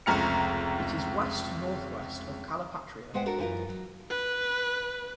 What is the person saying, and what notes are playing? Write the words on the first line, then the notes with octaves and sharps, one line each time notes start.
It is west-northwest of Calipatria.
F1 C#2 A#5 F6 C#7
A2 G#3 B3 C5 F#5 G5
D4 F#4 A4 A#4
F#2 E3 E4 F4 A#4
F#3
B4